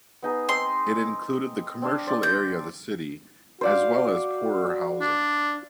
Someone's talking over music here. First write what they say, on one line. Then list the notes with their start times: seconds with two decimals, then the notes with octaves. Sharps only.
It included the commercial area of the city, as well as poorer housing.
0.22 B3 D#4 G#4
0.49 G#3 C4 D#4 C6
1.82 C4 D4 F5
2.07 C5 D5
2.23 G6
3.61 F#4 C5 D5 F5
5.01 D4